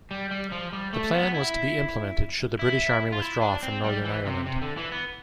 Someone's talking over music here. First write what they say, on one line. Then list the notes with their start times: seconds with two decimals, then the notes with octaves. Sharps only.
The plan was to be implemented should the British Army withdraw from Northern Ireland.
0.11 G3
0.31 G3
0.51 F3
0.72 G3
0.93 A3
1.14 B3
1.35 E4
2.59 E4
3.13 F4
3.22 E4
3.42 D4
3.63 C4
3.84 G3
4.05 E3
4.25 C3
4.46 C3
4.62 D3
4.77 E3
4.92 B3